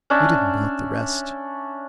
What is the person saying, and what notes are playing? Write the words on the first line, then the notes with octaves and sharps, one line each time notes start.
We didn't want the rest.'
C#4 D4 D5 E5